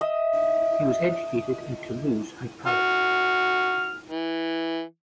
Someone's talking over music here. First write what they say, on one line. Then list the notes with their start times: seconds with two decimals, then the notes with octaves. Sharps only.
He was educated in Toulouse and Paris.
0.01 D#5 E5 D#6
2.67 F#4 F6
4.10 E3